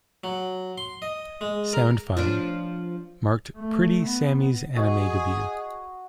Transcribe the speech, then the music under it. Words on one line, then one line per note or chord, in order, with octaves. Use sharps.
Soundfile, marked Pretty Sammy's anime debut.
F#3
C6
D#5
G#3
A#4
F3 D4
A3
B3
F#4 G#4 D#5